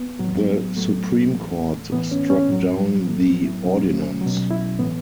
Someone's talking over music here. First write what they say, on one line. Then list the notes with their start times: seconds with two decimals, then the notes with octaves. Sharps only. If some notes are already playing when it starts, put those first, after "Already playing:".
The Supreme Court struck down the ordinance.
Already playing: B3
0.19 A2 F#3
0.76 A2 F#3 A3
1.34 A2 E3
1.92 A2 E3 B3
2.12 C#4
2.30 C#4
2.49 A2 F#3
3.07 A2 F#3 A3
3.26 B3
3.45 E4
3.64 B2 F#3 C#4
4.21 F#3
4.26 B2
4.51 E4
4.79 A2 E3 B3